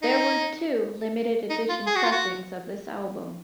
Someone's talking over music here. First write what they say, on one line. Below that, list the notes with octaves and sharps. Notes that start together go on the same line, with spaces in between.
There were two limited-edition pressings of this album.
D#4
D#4
F4
G#4
F#4
F4
F#4